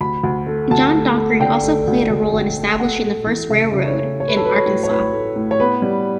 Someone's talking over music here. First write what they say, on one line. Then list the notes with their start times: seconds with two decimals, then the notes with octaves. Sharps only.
John Dockery also played a role in establishing the first railroad in Arkansas.
0.01 D2 B5
0.24 D2
0.47 A3
0.71 D2 A5
0.94 A3
1.18 A3
1.40 D3 G5
1.64 A3
1.87 D2
2.10 D2
2.33 D2
2.57 A3
2.80 A3 F#5
3.03 A3
3.27 E3
3.50 C#3 E5
3.72 C#3
3.84 C#5
3.96 A3
4.20 A3 C#5
4.28 B4
4.37 A4
4.42 F#3 B4
4.54 C#5
4.66 A2
4.83 C#5
4.89 A2 B4
5.12 A3
5.36 A2
5.51 C#5
5.60 B3 B4
5.82 G3